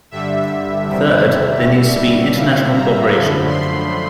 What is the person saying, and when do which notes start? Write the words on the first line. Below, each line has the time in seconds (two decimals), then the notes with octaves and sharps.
Third, there needs to be international co-operation.
0.11 G2 D3 G3 E5
0.85 E2 C3 D#3 G3
1.60 B2 G3
2.35 A#2 G3 F5
2.73 A#5
3.10 F#2 D3 F3 A3 B5
3.47 C6